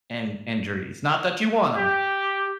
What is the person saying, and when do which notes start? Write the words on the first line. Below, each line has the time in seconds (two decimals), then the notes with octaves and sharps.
an injuries. Not that you want 'em,
1.75 G4